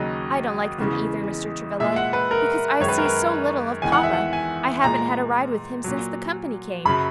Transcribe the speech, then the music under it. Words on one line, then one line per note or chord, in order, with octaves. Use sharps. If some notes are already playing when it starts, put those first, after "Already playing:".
"I don't like them either, Mr. Travilla, because I see so little of papa. I haven't had a ride with him since the company came."
Already playing: D#2 C#3 F#3 D#5
E2 C#3 G#3
A#2 G#3 E5
F#5
B4
A#4
F#2 D#3 G#3 C#5
B4
A#4
B4
E2 D#3 G#3 G#5
F#5
E5
F#5
G#5
A#2 G#3 A#5
A#2 F#3
F#2 C#3 F#3 B5